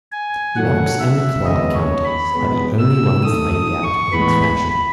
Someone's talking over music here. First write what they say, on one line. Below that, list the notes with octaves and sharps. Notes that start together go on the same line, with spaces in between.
Knox and Clark counties are the only ones laid out in this fashion.
G#5
F#2 D#3 F#3 A3 F#5
E5
D#2 C#3 G#3 B3 D#5
C#5
B5
B2 G#3 B3
E6
D#2 D#3 A3 D#6
D#6
C#6
A2 E3 G#3 B3 B5
B5